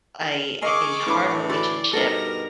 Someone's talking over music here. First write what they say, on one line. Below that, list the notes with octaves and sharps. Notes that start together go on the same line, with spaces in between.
I a hard relationship
A#4
G#4 A#4 D#5 C#6 D6
A2 E3 C#4 D4 B5
F#4 A4 D5 B5
G2 B2 G3 D#4 A4 A#4 A#6